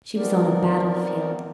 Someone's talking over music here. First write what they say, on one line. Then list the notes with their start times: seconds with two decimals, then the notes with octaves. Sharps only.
She was on a battlefield.
0.16 F3 B3 C4 D#4 A#4 D5